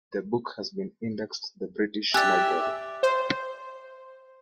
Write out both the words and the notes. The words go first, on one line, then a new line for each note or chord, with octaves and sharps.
The book has been indexed The British Library.
G4 D5 E5 G#5 E6 F#6 A6
C5